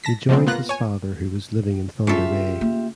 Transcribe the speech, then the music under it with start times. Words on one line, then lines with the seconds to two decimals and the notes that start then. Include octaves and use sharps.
He joined his father who was living in Thunder Bay.
0.04 A5 A#6 B6
0.29 C3 F3 G#3 A3 B3 C4
0.47 A#3 B3 F4 F#6 A#6
0.69 C#5 G#5
2.07 C#3 F4 G4 A4 E5
2.61 A#3